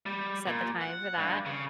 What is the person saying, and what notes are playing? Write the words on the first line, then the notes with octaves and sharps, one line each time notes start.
set the time for that,
G3
A#2
F#5
G2
C#3